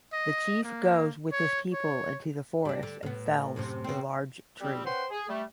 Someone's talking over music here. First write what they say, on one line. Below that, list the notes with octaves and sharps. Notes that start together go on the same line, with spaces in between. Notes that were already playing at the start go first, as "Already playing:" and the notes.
The chief goes with his people into the forest and fells a large tree.
D#5
A#3
C#5
C#5
G3 D4
D3
A2 B3
F#2 A2 C3
B2 C4
G3 C4
C#4 B4 C5 F#5 G5 C6
G#4
G3 A3